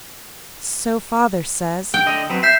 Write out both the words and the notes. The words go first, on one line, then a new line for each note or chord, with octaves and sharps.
'So father says.
G5
D3 D#5
F#3 C4 B4
E5 G6 B6 C7